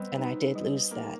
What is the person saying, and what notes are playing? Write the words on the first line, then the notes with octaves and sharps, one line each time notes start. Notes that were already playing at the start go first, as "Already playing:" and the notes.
and I did lose that
Already playing: G3 B3 C4
D#4
G3
A#3 D#4